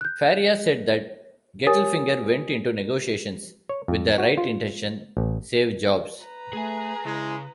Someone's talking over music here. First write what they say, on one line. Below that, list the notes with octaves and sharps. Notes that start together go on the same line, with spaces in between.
Faria said that Gettelfinger went into negotiations with the right intention...Save jobs.
F#6 G6
G4 A#4 C#5 G#5 D#6 A6
C#5
F2
F#4
F4
A1
B4 A#5
A3 G#4 G#5
C#3 G#3 E4